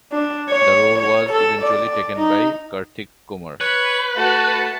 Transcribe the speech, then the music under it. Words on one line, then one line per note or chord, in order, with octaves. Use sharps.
The role was eventually taken by Karthik Kumar.
D4
C#5
C#5
A4
D5
D#4
B4 C#5
A3 F#4 A5